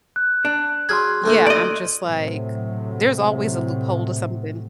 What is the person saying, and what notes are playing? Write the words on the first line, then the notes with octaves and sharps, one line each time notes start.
Yeah, I'm just like, there's always a loophole to something.
F#6
D4
F#3 G#4 B5 C6 F6 G#6
D2 A3 A#3
D5 D#5
A2 C3 F#3